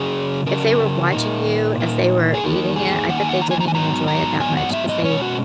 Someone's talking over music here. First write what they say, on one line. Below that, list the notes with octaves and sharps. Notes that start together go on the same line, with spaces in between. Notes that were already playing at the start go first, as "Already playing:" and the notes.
if they were watching you as they were eating it, I bet they didn't even enjoy it that much, 'cause they
Already playing: C#3 F#3 C#4 G#4
C#3 F#3 C#4 A#4
A#2 A#3 D#4
A#2 A#3 D#4
G#4
E2 D#3 A#3 D#4 A#4
G#4
E2 D#3 A#3 D#4 F#5
G#5
F#5
A#5
G#5
A#5
G#5
G#2 F#3 B3 D#4 A#5
A#5
G#2 F#3 B3 D#4 G#5
F#5
E5
D#5
B2 G#3 C#4 C#5
F#4